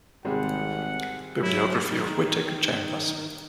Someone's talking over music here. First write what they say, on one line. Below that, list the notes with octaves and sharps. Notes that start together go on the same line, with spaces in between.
Bibliography of Whittaker Chambers.
G#1 C3 G3 G#3 F#5
F#3 E4
D#3